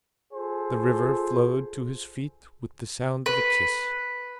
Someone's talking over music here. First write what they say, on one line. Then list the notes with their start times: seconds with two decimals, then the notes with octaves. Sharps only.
The river flowed to his feet with the sound of a kiss.
0.34 F4 G#4 A4 C5
3.26 B4